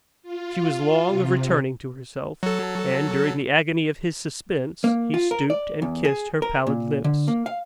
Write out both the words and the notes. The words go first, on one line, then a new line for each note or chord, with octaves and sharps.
She was long of returning to herself; and, during the agony of his suspense, he stooped and kissed her pallid lips.
F4
C3
F#3 A4
A#3
F4
A#4
D5
E2
G#4
A#4
A#2
D3
A#3
F5